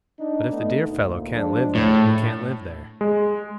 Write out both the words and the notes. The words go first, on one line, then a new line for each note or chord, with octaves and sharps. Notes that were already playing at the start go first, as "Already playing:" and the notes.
But if the dear fellow can't live there, he can't live there.
D4 D#4
A3 B3 D#4
D2 A#2
F3 G#3 D4
A2
G#3